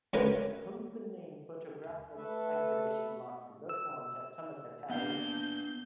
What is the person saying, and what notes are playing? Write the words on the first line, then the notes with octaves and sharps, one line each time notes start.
An accompanying photographic exhibition marked the book launch at Somerset House.
C#2 C#3 A#4 B4
A3 A4 B4 E5
E6
A#3 B3 D4 F5 G6